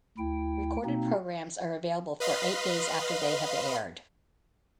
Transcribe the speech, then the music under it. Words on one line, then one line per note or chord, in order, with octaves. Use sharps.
Recorded programs are available for eight days after they have aired.
D2 E4 G5
B2 A#3 C4 D#4
B4 D#5 F5 B5 C6